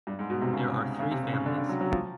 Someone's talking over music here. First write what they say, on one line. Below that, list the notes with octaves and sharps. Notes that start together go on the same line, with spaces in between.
There are three families.
G2
G#2
B2
C3
C#3
C#3
C3
C#3
C#3
D3
D3
F#3
F#3
F3